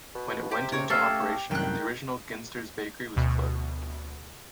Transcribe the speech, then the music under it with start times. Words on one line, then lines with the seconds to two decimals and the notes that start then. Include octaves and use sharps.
When it went into operation the original Ginsters bakery was closed.
0.15 B2
0.51 C3 G4 C5
0.72 C#3 A#4 C#5
0.90 C3 A3 C#4 A4 E5 F5 A5
1.02 G4
1.51 C2 F#2 A2 D#3 G5 F#6
3.16 D2 B2